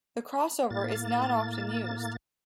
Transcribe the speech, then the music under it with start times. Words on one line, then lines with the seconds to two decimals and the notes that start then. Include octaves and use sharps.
The crossover is not often used.
0.70 A2 A#3 A6